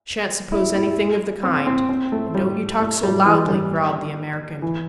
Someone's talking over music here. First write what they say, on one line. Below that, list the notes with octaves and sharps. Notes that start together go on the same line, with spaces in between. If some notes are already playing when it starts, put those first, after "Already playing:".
"Shan't suppose anything of the kind, and don't you talk so loudly," growled the American.
E4
E4
C4
C4
C4
A3
G3
A3
G3
E3
G3
E3